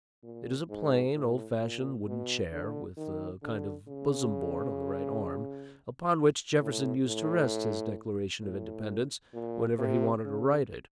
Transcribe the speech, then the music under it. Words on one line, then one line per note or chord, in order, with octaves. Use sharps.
It is a plain, old-fashioned wooden chair, with a kind of bosom-board on the right arm, upon which Jefferson used to rest his Declaration of Independence whenever he wanted to write it.
A#2
G#2
A2
A#2
B2
D3
D#3
D3
C#3
A2
A2
A2
A#2
C3
C#3